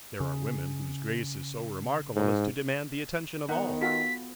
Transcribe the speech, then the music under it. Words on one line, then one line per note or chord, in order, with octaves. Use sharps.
There are women whose grace is so remarkable as to demand the attention of all.
C#3
G#2
D#3 B3 D#4 F#5
F4 F#4 A4 B6